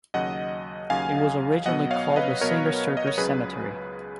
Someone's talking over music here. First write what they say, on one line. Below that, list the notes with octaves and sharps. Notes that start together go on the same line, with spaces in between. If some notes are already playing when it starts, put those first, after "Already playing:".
It was originally called the Singer Circus Cemetery.
D#2 C#3 F#3 D#5 F#5
D#2 C#3 F#3 F5 G#5
B2 F#3 B3 D#5 F#5
C#5 F5
B4 D#5
B2 F#3 B3 A#4 C#5
D#5
C#5
C#2 C#3 F#3 G#4 B4